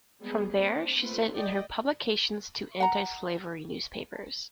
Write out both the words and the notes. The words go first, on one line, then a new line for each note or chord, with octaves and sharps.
From there, she sent in her publications to anti-slavery newspapers.
G3 G#3 A#3 B3 G#4
A#3 C4 D4
A3 A#3 C4 F4 B4
D5 D#5 G5
F#5 A#5